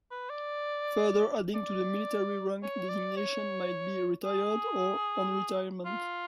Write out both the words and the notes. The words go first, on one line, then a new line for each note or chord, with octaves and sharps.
Further adding to the military rank designation might be "retired" or "on retirement".
B4
D5
D5
C#5
D5
C#5
G#4
F4